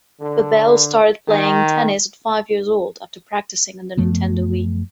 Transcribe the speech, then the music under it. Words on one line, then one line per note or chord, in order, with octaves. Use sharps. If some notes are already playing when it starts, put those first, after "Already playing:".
Babel started playing tennis at five years old after practicing on the Nintendo Wii.
D3
D#3
F#2 F3 A3 B3